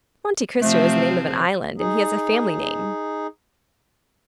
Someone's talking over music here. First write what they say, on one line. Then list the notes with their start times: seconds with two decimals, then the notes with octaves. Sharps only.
"Monte Cristo is the name of an island, and he has a family name."
0.62 C3 F3 A3 C4
1.79 D#4 G#4